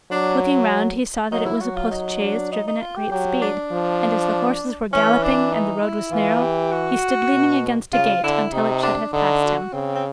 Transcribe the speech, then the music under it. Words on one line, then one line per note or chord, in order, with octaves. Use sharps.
Looking round, he saw that it was a post-chaise, driven at great speed; and as the horses were galloping, and the road was narrow, he stood leaning against a gate until it should have passed him.
F#3 D4
F#3 D#4
E4
F#3 F#4
F4
D#4
D4
D#4
D#4
F4
G4
F#3 G4
D4
F3
E3 C#4
D4
D#4
E4
E3 F4
G4
F#4
B2
C#3 F4
D3 E4
C3 D#4
D4
D3 D#4
F#4
C#3 C4
C4